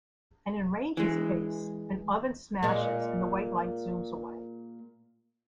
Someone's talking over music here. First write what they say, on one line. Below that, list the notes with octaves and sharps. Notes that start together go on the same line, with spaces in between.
And in Rangy's case, an oven smashes and the white light zooms away.
E3 G#3
A#2 G#3